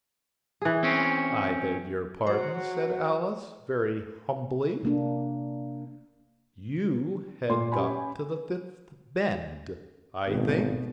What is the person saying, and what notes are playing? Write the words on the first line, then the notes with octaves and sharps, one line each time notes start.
'I beg your pardon,' said Alice very humbly: 'you had got to the fifth bend, I think?'
E3 G#4
C4 C#4
F#3 F#4 C5
C3 A#3 D4
A#2 C6
C#4 G4 B4 G#5 B5
G#1 B2